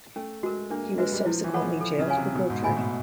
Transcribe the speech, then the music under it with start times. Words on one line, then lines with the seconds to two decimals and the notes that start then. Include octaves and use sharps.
He was subsequently jailed for perjury.
0.16 A3 C#4
0.43 G#3 F#4 A#4
0.70 A#3 D4
0.98 G#3 F#4 B4 E5
1.12 G3
1.25 F3 E4
1.44 E3
1.54 A4 C#5 F#5 B5
1.62 F3
1.80 F3 A4
1.99 C#3
2.08 C#5 F5 G#5
2.17 C3
2.35 B2 A#4
2.50 G#2
2.63 A2 D#5 G#5 B5
2.76 B2